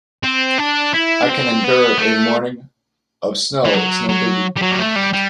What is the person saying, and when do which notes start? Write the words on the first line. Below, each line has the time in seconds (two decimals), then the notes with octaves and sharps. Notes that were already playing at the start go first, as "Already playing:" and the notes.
I can endure a morning of snow, it's no biggie.
0.23 C4
0.58 D4
0.94 E4
1.22 D4
1.29 C4
1.64 B3
1.98 A3
3.65 E3
3.74 F#3
4.09 F#3
4.56 G3
4.62 F#3
4.71 G3
4.79 A3
4.96 G3
5.13 G3